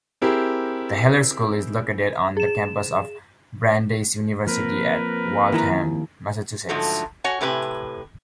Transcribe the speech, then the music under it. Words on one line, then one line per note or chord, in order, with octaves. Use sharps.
The Heller School is located on the campus of Brandeis University at Waltham, Massachusetts.
C4 E4 G4 G#4 A#4
G#4 E7
F3 A#3 C4 A#4 B4
D#2 E4 A#5
G#2 D3 F3 F#3 A3
F#4 C#5 F#5 G#5
A2 C3 G4 B4 G#5